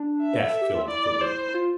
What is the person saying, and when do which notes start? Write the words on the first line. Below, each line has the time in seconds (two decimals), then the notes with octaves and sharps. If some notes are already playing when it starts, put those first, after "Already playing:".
Death filled the room.
Already playing: D4
0.22 E5
0.33 B4
0.47 A4
0.61 G4
0.75 F4
0.88 E4 D5
1.21 C5
1.54 F4